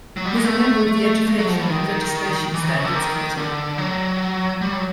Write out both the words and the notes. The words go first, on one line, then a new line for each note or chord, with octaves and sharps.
He is a member of the Education and Registration Standards Committee.
F#3
G3
G#3
A3
A3
G#3
F#3
F3
E3
D#3
E3
D#3
C#3
D3
D#3
D3
F#3
G3
F#3